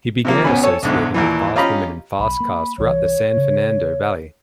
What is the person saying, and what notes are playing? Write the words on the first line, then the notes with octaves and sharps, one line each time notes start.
He "began associating with fast women and fast cars throughout the San Fernando Valley".
C3 F3 A#3
C#2 B2 B3 C#4 G#5 B5
A4 C#5 G#5
B1 E2 G#2 D3
D#2 A#2 E3
C#4 F4 G4 D#5 A#5 B5
B1 B5
A#3
C2 E3 C#5
C#3